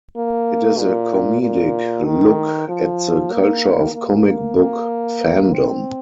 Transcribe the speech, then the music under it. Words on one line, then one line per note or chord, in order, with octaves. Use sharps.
It is a comedic look at the culture of comic book fandom.
A#3
A#2
A#2
D#3
F3
A#3
A#3
A#3
C4